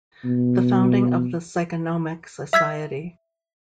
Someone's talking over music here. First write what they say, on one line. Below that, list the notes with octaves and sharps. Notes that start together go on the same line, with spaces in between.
The founding of the Psychonomic Society.
B2
E5 E6 G#6 B6